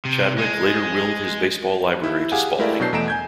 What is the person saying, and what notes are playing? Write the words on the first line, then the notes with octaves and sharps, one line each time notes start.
Chadwick later willed his baseball library to Spalding.
C3
G#3
E4
G4 G#4 F5 F#5 G#5
G#3 A3 E4 G4 A#4 D5
B2 F#3 D4 B4 G6 C7
E2 A3 D#5 A#5 D7 E7
G#5 G6 G#6